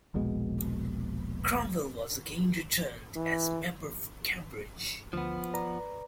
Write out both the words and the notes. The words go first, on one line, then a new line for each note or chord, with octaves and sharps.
Cromwell was again returned as member for Cambridge.
D#1 A#1 B2 G#3
E3
D2 F3 B3
B4 D5 A#5